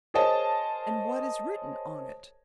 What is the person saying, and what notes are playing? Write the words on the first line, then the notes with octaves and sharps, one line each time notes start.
"And what is written on it?"
G#4 A#4 C5 C#5 D#5 A5